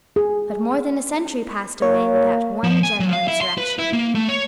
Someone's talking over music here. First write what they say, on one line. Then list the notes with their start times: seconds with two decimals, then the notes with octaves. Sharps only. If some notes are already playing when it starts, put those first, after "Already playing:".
But more than a century passed away without one general insurrection.
0.16 G#4
1.82 A#3 C#5
2.64 F3
2.83 G#5
3.00 F#3
3.13 F5
3.28 E4
3.41 C6
3.58 B4
3.79 E4
3.93 A#3
4.15 A3
4.29 C#5